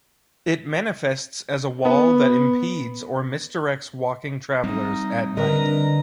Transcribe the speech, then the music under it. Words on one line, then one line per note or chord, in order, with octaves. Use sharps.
It manifests as a wall that impedes or misdirects walking travelers at night.
B3
G3 C4 D#4
D3 A#4 B4 D#5 A#5